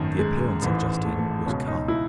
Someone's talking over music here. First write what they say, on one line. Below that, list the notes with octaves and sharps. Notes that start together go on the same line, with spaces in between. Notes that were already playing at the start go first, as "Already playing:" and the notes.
The appearance of Justine was calm.
Already playing: G#1 F#2 D#3 A3
G#3
A1 G#2 E3
A3
A3
C#2 B2 C#4
D#4
E4